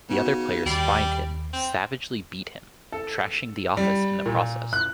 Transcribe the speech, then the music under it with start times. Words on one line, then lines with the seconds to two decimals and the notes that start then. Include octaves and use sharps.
The other players find him, savagely beat him, trashing the office in the process.
0.10 C#3 B3 D#4 F#4
0.66 D#2 G3 B5 C7
1.53 C4
2.92 A4
3.77 G3
4.26 A#2
4.73 F#6